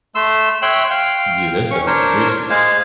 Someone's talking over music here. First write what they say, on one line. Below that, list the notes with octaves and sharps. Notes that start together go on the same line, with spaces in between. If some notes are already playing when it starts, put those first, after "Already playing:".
Yeah, that sounds delicious
A3 C6 E6
C#5 E5 G5 C6 F#6
F5 G5
C#4 C#6
D4 A#4 C5 C#5
G#3 G#4 C5 F5